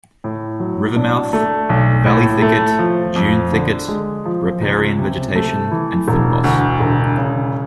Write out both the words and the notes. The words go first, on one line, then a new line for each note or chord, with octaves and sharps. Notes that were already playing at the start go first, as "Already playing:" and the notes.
River mouth: Valley thicket, dune thicket, riparian vegetation and fynbos.
A2
F#3
D4
A3
B1
A2
A3
F3
F2
D3
G#3
F3
C#2
C3
A3
E3
E1
D2
E1
C#3